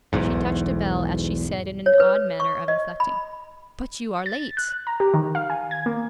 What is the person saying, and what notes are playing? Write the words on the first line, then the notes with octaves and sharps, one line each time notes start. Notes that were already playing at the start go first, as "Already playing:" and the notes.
She touched a bell as she said in an odd manner of inflecting, 'But you are late!'
B1 E2 G#2
C#5
B4
C#6
D#5
B5
A6
F#6
A#5
G4
D#3
F5
G#5
G#6
A#3